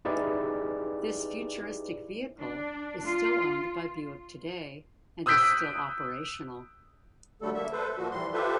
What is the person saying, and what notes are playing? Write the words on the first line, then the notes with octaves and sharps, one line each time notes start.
This futuristic vehicle is still owned by Buick today, and is still operational.
D#4 E4 G4 G#4 B4 D5
D4
F4
D#6 E6 F#6 G6 B6 D7
D3 F#3 G3 A3 A4
A#3 E5
A4 B4 C5
A#2 F3 F#4
E3 G3 C6
F4 G4 A4 B4 C5 E5